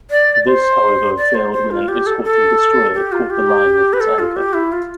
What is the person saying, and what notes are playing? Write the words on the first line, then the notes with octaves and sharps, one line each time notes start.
This, however, failed when an escorting destroyer caught the line with its anchor.
D5
C5
D5
C5
C5
F4
G4
A4
A4
G4
F4
G4
B4
A4
F4
G4
E4
F4